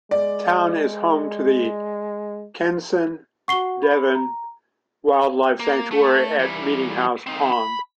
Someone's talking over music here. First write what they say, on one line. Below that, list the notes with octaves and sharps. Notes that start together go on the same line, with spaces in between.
The town is home to the Kensan-Devan Wildlife Sanctuary at Meetinghouse Pond.
G#3 D5
F#4 F#5 C#6 C7 G7
B5
A#5
A#3
A3
E3 G3
C4 D#4
B5